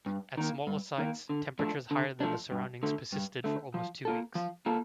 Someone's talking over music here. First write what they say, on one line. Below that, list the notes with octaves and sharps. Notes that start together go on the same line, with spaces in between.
At smaller sites, temperatures higher than the surroundings persisted for almost two weeks.
G2
D#3 A#3
G2
D#3 A#3
D3
F3 A3 D4
D3
F3 A3 D4
G2
D3 A3
G2
D3 A3
F3
A#3 F4 A4
F3
A#3 F4 A4